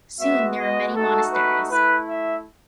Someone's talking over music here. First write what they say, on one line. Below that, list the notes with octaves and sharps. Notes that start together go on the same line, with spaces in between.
Soon there were many monasteries.
G#3 B3 F#4 E5
D#5
A3 D#4 F#4 A4
B4
A3 E4 B4
E5